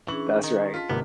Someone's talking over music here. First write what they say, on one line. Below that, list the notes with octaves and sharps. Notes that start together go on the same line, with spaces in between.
That's right.
E3 C#4 D4 G#4 C#6 F#7
D#3 D#5
F4 A5 F6 B6
G#1 C3 A#3 B3